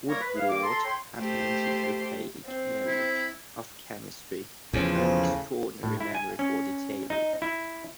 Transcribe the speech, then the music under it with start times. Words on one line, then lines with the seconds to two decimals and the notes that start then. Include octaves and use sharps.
Woodward had an encyclopaedic knowledge of chemistry, and an extraordinary memory for detail.
0.07 G3 A#3 A#4 C#5
0.20 B4
0.35 G#4 B4 E5 F5
0.50 D#3 A#3 D6
0.63 A4 A5 A#5 C6
0.85 C#5 G5 B5 C6
1.17 A3 G4 C5
2.45 C4
2.87 E4
4.73 E2 A2 C#3 F3 C#4
5.83 A2
6.00 E4
6.15 G#5
6.39 C#4
7.10 D#4
7.42 E4